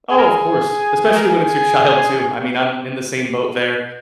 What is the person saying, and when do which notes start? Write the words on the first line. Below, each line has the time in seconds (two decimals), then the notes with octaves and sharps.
Oh, of course. Especially when it's your child, too. I mean, I'm in the same boat there.
0.11 G#4
0.18 A#4
0.25 G#4
1.15 A#4
1.23 G#4